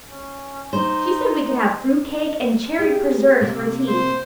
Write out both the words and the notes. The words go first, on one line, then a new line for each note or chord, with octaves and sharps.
She said we could have fruit cake and cherry preserves for tea.
C#4
D#4 C5
G4 G#4
C3 A#3
C5